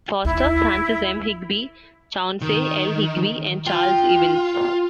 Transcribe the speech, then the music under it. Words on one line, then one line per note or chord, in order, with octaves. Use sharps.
Foster, Francis M. Higbee, Chauncey L. Higbee and Charles Ivins.
D#2 E4
D#3
F4 G5